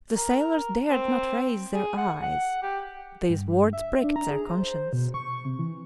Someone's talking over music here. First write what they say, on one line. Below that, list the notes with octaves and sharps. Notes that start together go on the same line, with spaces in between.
The sailors dared not raise their eyes; these words pricked their conscience.
A#4
C4
G#4
F#5
F#5
G4
G2
E5
D4
A#5
G#4
C5
B2
C#6
C3
E3